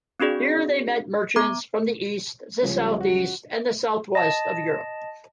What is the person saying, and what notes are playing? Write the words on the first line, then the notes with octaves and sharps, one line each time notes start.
Here they met merchants from the east, the southeast and the southwest of Europe.
C4 D4 F#4 G#4 D5
B3 A#5 D6
C#2 C#3 F3 G3 C#4
F#4
D#5 A5